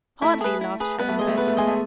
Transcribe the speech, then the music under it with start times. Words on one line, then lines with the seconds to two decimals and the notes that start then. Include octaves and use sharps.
"Hardly," laughed Helen Burton.
0.22 A3 E4
0.41 G#4 B4
0.61 E4
0.80 G#4 B4
0.99 B3 B4
1.09 A3
1.19 G#3 D#5 G#5
1.28 A3
1.37 B3 B4
1.48 A3
1.57 G#3 D#5 G#5
1.67 A3